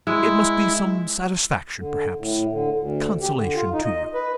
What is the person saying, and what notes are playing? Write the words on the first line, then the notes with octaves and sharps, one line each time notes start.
"It must be some satisfaction, perhaps consolation to you."
G#3 E4
D3
A2
D3
D2
G4
D3
F4
D#4
D#5
B4